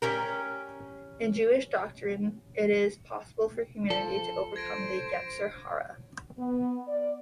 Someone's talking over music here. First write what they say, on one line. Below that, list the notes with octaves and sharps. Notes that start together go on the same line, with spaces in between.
In Jewish doctrine, it is possible for humanity to overcome the "yetzer hara".
C#4 G4 A#4
F3 A4
C5 G#6 A#6 D7
B3
D5